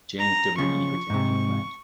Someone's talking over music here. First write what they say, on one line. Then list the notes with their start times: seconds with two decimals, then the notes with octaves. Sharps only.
James W. Egerton in command.
0.19 A#5
0.58 C#3 F3 C#6
1.10 G#2 C3